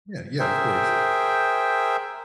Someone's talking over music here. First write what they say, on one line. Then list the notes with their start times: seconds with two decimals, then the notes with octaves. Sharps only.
Yeah, yeah, of course.
0.40 G#4 A#4 C5 E5 G5